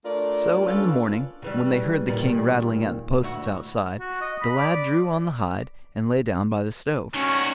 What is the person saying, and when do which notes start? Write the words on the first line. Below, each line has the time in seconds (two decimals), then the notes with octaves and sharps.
So in the morning when they heard the king rattling at the posts outside, the lad drew on the hide, and lay down by the stove.
0.04 A3 D4 F4 A#4 D5
0.66 C#4 D4 F4 A4 B4 D5
1.42 C#3 E3 G3
2.08 A#2 D#3 G3
3.22 D2 E4 F#4
4.00 F#4
4.21 D#5
4.42 B5
4.58 D5
7.15 D#3 C#4 F#4